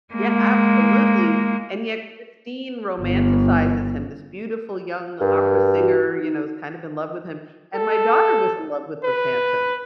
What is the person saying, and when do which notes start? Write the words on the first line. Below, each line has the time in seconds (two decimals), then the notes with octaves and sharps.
Yeah, absolutely! And yet Christine romanticizes him, this beautiful young opera singer, you know, is kind of in love with him. And my daughter was in love with the Phantom,
0.14 G#3 A#3
3.00 G1
5.21 G2 A#4
5.78 F#4
6.22 D#4
7.75 A4
9.04 B4